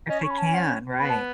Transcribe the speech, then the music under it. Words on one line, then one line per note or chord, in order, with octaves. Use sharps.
If they can, right.
C#4 D#5
C#4 C#6
B5
A5
G#5
F#5
B3 B5
A5